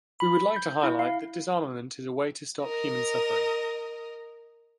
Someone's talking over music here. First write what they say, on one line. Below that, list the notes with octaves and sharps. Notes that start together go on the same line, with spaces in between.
We would like to highlight that disarmament is a way to stop human suffering.
B5
G6
E4
F5
A#4 D#5